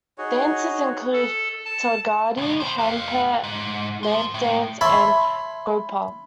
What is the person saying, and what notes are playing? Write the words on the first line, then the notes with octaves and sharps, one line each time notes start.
Dances include "Talgadi", "Hanpet", Lamp Dance and "Gopha".
D#4 F#4 G#4 C#5
A4
A5
C#2 A2
C5
G4 F5
G#2
F3 C5
A2
C#5 E5 A5 B5 C6